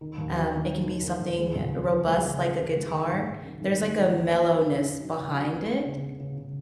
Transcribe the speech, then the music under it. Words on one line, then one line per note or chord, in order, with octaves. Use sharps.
um it can be something robust like a guitar, there's like a mellowness behind it
D#3
D#2
F#3
D#3
F#3
D#3
D#3
D#2
G#3
C#2
F3
F3
G#3
C#3
F3
C#3
G#3
D#3
G#2
G#2
G#1
G#1
G#3
D#3
A#3
A#3
F#3
D#4
D#4
F#3
C#3
F#3
B3
G#3
C#3
B3
C#3
C#3